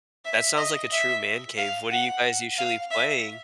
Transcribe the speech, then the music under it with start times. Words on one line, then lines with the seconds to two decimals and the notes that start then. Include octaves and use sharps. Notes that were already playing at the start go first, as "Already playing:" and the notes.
That sounds like a true man cave. What are you guys usually playing?
0.25 E5
0.57 D#5
0.92 E5
1.57 F5
1.91 F#5
2.58 F5
2.91 E5